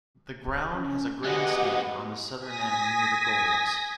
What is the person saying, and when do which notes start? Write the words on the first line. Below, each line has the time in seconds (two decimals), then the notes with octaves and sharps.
The ground has a grandstand on the southern end near the goals.
0.75 C#4
1.24 G#3 B3 F#4 G4 D#5 F#5
2.38 G#5 D#6 A#6 B6